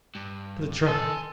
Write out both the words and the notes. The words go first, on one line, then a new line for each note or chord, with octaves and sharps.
"To the trap!"
G2
A4 G#5 C6